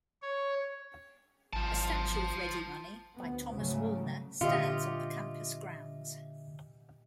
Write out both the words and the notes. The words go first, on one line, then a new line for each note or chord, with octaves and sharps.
A statue of Readymoney, by Thomas Woolner, stands on the campus grounds.
C#5
G#1 F4 A5
D2 F3 B3
G#2 C#3 F#3 G3 A3
A#2 D3 F4 G4 D#5 E5 C#7